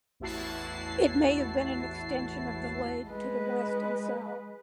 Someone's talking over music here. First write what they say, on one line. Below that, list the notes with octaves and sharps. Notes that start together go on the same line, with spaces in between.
It may have been an extension of the lade to the west and south.
A1 E2 E4 F#4 A5 C7
G#3 B4